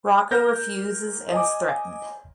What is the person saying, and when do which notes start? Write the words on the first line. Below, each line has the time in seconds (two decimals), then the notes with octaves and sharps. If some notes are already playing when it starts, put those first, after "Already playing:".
Rocco refuses and is threatened.
0.31 A#4 F6 G6 A#6
1.32 D#5 G#5 D6